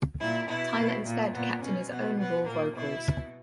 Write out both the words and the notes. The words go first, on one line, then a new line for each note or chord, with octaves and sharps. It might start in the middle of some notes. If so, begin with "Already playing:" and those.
Tyler instead kept in his own raw vocals.
A#2 E4
B2 E4
B2
A#2
A#2 B3
B2 C#4
B2 B3
B2 B3
A#2 A#3
B2 E4
B2